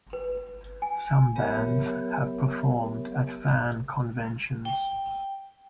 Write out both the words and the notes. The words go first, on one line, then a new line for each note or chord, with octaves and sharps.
Some bands have performed at fan conventions.
B4
G#5
F#3 B3 G4 A#4 C#5 E5
G5